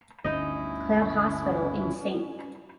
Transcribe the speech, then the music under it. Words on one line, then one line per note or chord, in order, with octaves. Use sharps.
Cloud Hospital in St.
G1 D2 G2 C#4 D#4 E4 D#5